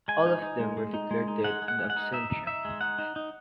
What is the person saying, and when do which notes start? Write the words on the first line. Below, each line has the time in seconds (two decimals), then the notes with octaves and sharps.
All of them were declared dead "in absentia".
0.08 G#3 G#5
0.26 D#4
0.42 D#4
0.59 G#3
0.77 G#3
0.94 D#4
1.11 G#3
1.28 D#4
1.44 G#3 F#5
1.62 G#3
1.68 F#5
1.79 G#3
1.90 F#5
1.96 D#4
2.13 D#4 E5
2.30 D#4
2.47 D#4 E5
2.65 G#3
2.81 D#4 F#5
2.98 D#4
3.16 D#4